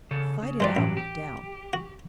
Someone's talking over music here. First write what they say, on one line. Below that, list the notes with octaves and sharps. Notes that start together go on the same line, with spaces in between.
Fight it out with doubt.
C#3 A4
C#3
G2 F#3 G#3 G4 C5 D5
A1
G4
F#4